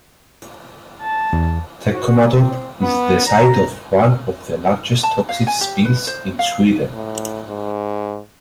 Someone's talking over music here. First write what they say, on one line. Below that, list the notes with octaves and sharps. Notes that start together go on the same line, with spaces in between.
Teckomatorp is the site of one of the largest toxic spills in Sweden.
A5
E2
F#4
C4
B3
A#5
A5
F5
G#5
G4
B4
C5
F5
A2
G#2